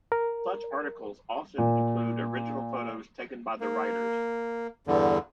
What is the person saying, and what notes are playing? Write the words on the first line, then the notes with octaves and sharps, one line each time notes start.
Such articles often include original photos taken by the writers.
A#4
A#2
A#3
E2 G2 D3